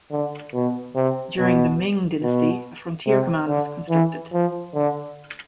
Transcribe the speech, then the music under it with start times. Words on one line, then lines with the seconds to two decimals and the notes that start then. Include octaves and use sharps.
During the Ming Dynasty, a frontier command was constructed.
0.12 D3
0.54 B2
0.96 C3
1.39 B2
2.23 B2
3.07 C3
3.48 D3
3.90 E3
4.33 F3
4.75 D3